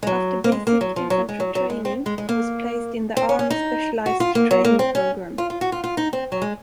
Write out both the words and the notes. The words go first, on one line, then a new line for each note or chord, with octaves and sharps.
After basic infantry training, he was placed in the Army Specialized Training Program.
G#3
F#3
A#3
G#3
A#3
F#3
F3
F#3
G#3
F#3
F#3
G#3
C4
G#3
G#3
A#3
C4
C#4
C#4
D#4
F#4
F4
A#3
F#3
A#3
C4
C#4
F4
F4
F#4
F4
F4
D#4
C4
F#3
G#3